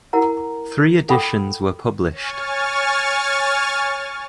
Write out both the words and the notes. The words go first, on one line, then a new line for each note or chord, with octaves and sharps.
Three editions were published.
E4 A#4 F#5 A#5
A4 F#5 G5 B5 D6
C#5 G#5 C#6 F6 A6